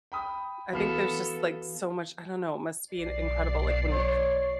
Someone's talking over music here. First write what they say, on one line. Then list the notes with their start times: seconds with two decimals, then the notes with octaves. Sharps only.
I think there's just like so much I don't know, it must be an incredible like when
0.12 G5 B5 D#6
0.73 E3 B3 F#4 A4 F5 B5 F6 C7
2.93 B1 D5 C7
3.91 C#5